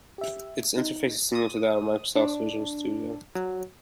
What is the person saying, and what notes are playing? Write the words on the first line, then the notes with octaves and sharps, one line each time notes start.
Its interface is similar to that of Microsoft's Visual Studio.
G4 E5
D#4
D#6
D4
F#3